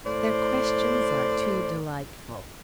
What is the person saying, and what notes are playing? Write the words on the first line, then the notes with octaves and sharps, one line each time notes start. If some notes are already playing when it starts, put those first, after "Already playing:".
Their questions are too delightful!
A2 C5 D5